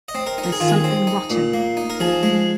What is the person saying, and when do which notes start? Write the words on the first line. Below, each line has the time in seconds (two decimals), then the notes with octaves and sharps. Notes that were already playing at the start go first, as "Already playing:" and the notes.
There's Something Rotten...
0.08 D#5
0.15 C4
0.27 A#4
0.38 D#4
0.44 A#4
0.52 G#4
0.60 D#3 F4
0.69 G#4
0.84 C4
1.07 D#4
1.30 A#2
1.54 A#3
1.77 D#4
1.90 A#4
2.00 F3 G#4
2.23 G#3